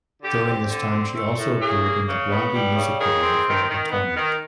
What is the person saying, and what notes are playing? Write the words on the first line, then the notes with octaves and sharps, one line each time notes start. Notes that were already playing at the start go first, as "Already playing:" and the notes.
During this time, she also appeared in the Blondie music video for Atomic.
D3 G4
C4
D3
C4
A3
A2
C#3 G#4
A#3
C#3
B3
G3
C#3
D#3 G#4
C4
D#3
D#3
B3
D#3